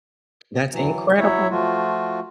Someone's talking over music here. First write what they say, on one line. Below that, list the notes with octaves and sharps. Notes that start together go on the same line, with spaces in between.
That's incredible.
E3 F#3
F#3 E4 C#5 E5
F3 A3 F4 F#4